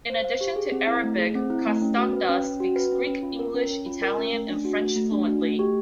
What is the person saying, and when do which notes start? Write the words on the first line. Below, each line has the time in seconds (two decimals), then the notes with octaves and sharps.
In addition to Arabic, Costanda speaks Greek, English, Italian and French fluently.
0.10 C5
0.24 F5
0.41 G4
0.56 G#4
0.72 C4
0.87 E4
1.03 A3
1.18 G#4
1.35 C4
1.50 E4
1.66 A3
1.82 C#4
1.97 F#4
2.13 B4
2.29 C#4
2.45 C#4
2.60 F#4
2.76 B4
2.92 C#4
3.07 C#4
3.23 F4
3.39 A#4
3.54 C#4
3.70 C#4
3.86 F4
4.02 A#4
4.18 C#4
4.33 A3
4.48 D4
4.65 F#4
4.80 A3
4.96 A3
5.11 D4
5.27 F#4
5.42 A3
5.59 G4